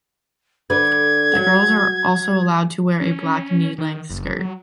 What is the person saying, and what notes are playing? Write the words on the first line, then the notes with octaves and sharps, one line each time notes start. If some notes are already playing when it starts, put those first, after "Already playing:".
The girls are also allowed to wear a black knee length skirt.
D3 B4 G#6
F#3
C#4
D#3
F#1
F#3